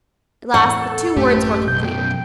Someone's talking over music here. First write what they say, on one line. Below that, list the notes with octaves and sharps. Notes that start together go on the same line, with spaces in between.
At last the two words were completed.
E2 A2 F#5
A4
A1 F#2 A3 C#4 G4
B1 G6
F#2 B2 G5